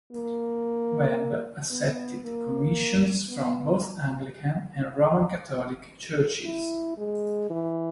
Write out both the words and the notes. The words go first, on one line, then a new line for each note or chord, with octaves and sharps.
Webb accepted commissions from both Anglican and Roman Catholic churches.
A#3
B3
A#3
B3
E4
G#3
E3